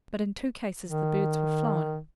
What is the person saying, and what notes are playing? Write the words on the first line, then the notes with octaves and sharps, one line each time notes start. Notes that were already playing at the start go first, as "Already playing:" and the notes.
But in two cases the birds were flown.
D#3